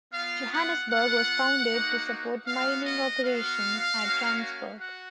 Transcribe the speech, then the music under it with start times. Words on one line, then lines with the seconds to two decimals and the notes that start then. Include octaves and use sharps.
Johannesburg was founded to support mining operation at Randsburg.
0.13 B3 F4 F5
0.52 F#5
0.90 B3 F4 F#5
1.68 A#3 D#4 F#4
2.46 B3 F#4 F5
2.85 D#5
3.24 B3 F#4 F5
4.01 A#3 C#4 F#4
4.80 F#4 F#5